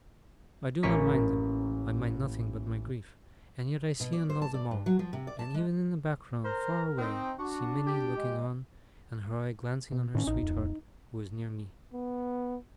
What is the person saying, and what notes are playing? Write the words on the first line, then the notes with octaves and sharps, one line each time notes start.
I do not mind them--I mind nothing but my grief--and yet I see and know them all; and even in the background, far away, see Minnie looking on, and her eye glancing on her sweetheart, who is near me.
A1 A#3 C#4 D#5 C#6 B6
B2
D5
C5
A5
D5
G2
F#3
F3
C3
D5
A5
G#3
A#4 C5 A#5
C4 D#4
D4 F#4
G4
G#3
B2
A2 D#3 C#4
A1 D#4
D1 F2
B3